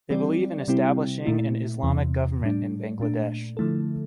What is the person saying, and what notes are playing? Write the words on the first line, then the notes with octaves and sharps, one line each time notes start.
They believe in establishing an Islamic government in Bangladesh.
E3 G3 C4 G4 D5
C3 G3 C4 E4 G4
A#2 A3 E4
E2 C3 E3
A2 G3 D4
A#2 A3 D4
D3 F3 A3 E4 A4